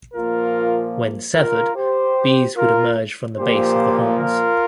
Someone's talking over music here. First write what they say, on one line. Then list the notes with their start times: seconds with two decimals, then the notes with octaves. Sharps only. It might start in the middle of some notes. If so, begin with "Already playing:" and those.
When severed, bees would emerge from the base of the horns.
0.14 A#2 F3 A#3 F4 A#4
1.35 F4 A#4
1.76 G4 C5
2.57 F4 A#4
3.37 A#2 F3 A#3 G4 C5
4.18 F4 A#4